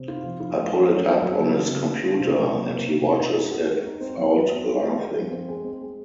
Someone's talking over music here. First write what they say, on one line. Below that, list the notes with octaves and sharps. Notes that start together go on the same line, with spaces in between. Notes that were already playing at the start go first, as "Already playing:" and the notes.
I pull it up on his computer and he watches it without laughing.
Already playing: C3
F4
F3
F4
F3
C#4
F#3
F4
F#3
C#3
F#4
C#3
C#3
F4
C3
F#3
A#3
C3
D#4
C3
D#4
G#3
F#4
G#3
D#4
C4
F#3
F#4
C4
G#3
G#3
G#3
F3
C4
G#3
C4
G#3